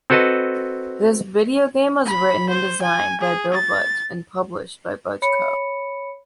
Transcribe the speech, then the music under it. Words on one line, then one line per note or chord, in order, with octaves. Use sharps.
This video game was written and designed by Bill Budge and published by BudgeCo.
C4 F#4 A4 B4 D#5 A5
B5
C5
G#5
G#4
A6
C#5 B5 C#7